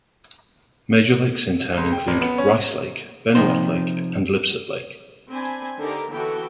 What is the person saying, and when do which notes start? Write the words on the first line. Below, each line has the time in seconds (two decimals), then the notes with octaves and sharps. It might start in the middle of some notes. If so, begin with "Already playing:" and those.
Major lakes in town include Rice Lake, Benoit Lake, and Lipsett Lake.
1.77 C#2
1.92 G5
2.07 A1
2.21 B3
2.38 C#4
3.35 C3 F3 D#4 C5
5.30 C4 D4 G#5 B5
5.79 D3 D#4 G4 A#4 D5 A#5
6.10 D3 E3 B3 F#4 A4 G5